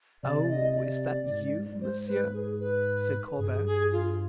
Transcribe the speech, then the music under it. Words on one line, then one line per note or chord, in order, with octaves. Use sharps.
"Oh! is that you, monsieur?" said Colbert.
C3 D5
D#5
D5
G#2
C5
B4
G#4
B4
G2 G#4
G#4
F4